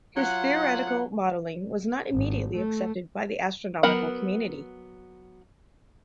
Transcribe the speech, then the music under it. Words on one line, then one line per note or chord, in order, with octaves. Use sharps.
His theoretical modeling was not immediately accepted by the astronomical community.
F#3 F4 F#5
G#1
A3
F#3 B3 A#4 F#5 B5